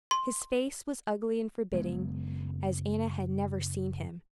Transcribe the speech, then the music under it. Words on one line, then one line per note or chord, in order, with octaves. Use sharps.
His face was ugly and forbidding, as Anna had never seen him.
C6
F#1 G#3 B3